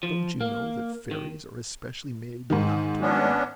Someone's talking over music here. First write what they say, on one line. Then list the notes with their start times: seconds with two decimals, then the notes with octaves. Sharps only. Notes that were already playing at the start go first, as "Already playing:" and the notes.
Don't you know that fairies are especially made not to worry?
0.03 F3
0.41 A#3
1.11 D#3
2.50 G#2 D#3
3.01 B3 C#4 D4